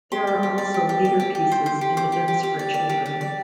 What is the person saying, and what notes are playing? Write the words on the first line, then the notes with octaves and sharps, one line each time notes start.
There are also theatre pieces and events for children.
G4 C6
D5
G4
D5
G4
G4
D5
G4
G4
C5
C5
G4
C5 D6
G4
G4
G4
D5
D5
G4
G4
D5